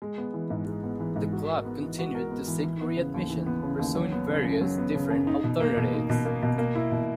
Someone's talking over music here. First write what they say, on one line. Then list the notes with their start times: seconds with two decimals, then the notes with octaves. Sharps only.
The club continued to seek readmission, pursuing various different alternatives.
0.02 G#3
0.18 B3
0.34 E3
0.50 G#2
0.66 G#3
0.84 B3
1.00 E3
1.16 G#2
1.33 F#4
1.49 A#4
1.65 B3
1.82 E3
1.99 F#4
2.15 A#4
2.31 B3
2.48 E3
2.64 E3
2.81 B3
2.96 C#3
3.14 D#2
3.30 E3
3.46 B3
3.63 C#3
3.79 D#2
3.95 F#3
4.12 B3
4.28 C#3
4.44 F#2
4.61 F#3
4.78 B3
4.95 C#3
5.10 F#2
5.27 D#4
5.44 B2
5.60 A#3
5.77 B2
5.93 D#4
6.10 B2
6.25 A#3
6.43 B2
6.58 A#3
6.75 E4
6.92 B2